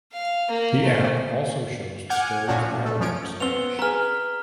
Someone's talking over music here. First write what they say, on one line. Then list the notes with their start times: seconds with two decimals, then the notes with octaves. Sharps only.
The app also shows the Stories’ battery percentage.
0.12 F5
0.48 A#3 A#4
0.84 A3 C5
2.10 F#5 G#5 D6 F6 G6 G#6
2.48 A#2 F3 C#4 D4 F#4
2.85 A3
3.00 F#2 F3 C#4 D7
3.40 B3 C4 F7 G7
3.79 G#4 B4 A#5 F6